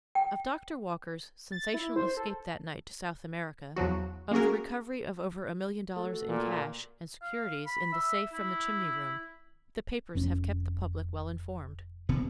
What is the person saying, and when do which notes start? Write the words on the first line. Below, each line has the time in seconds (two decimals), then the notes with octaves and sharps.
Of Doctor Walker's sensational escape that night to South America, of the recovery of over a million dollars in cash and securities in the safe from the chimney room--the papers have kept the public well informed.
0.15 G5
1.52 A6
1.74 E4
1.96 C5
2.17 A4
3.76 E2 F3 F#3 F#4
4.31 A#3 C#4 F#4 G#4 A#4
5.96 A3 F#4 A4
6.28 A#2
7.22 F5
7.67 B5
7.93 E5
8.33 E4
10.15 F1 F2 C#4
12.09 D#1 C3 B3